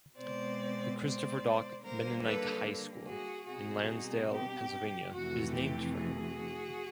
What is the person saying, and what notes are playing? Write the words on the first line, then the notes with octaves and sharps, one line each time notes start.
The Christopher Dock Mennonite High School, in Lansdale, Pennsylvania, is named for him.
B2 G#3 C4 C5 D5
C5 D5
D3 G3 A#3 A#4 C5
A4 B4
F#4 G#4
B2 G3 C4 D#4 F#4 G#4
G4
F2 C3 E3 A3 F#4
G4
F#4 G#4